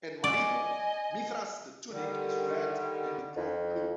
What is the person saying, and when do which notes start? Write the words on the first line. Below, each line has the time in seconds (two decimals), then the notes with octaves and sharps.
At Marino, Mithras' the tunic is red and the cloak blue.
0.24 D5 D#5 G#5
1.91 D3 D#3 G3
3.36 F2